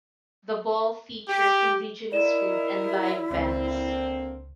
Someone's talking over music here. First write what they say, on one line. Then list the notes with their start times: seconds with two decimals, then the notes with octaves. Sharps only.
The Ball features Indigenous food and live bands.
1.28 G4
2.12 D#4 E4 A#4 D5 E7
3.31 C#2 D3 A#3 C4